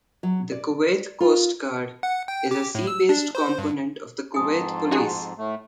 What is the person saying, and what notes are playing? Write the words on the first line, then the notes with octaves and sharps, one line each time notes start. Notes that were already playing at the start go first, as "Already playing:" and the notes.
The Kuwait Coast Guard is a sea based component of the Kuwait Police.
F#3
D5
F4
F#5
G5
G4
A2
E6
D4
C5
G2
F2 G#2 G#5 A5 C6 D#6
D#4 F#4 G#4
A2 A3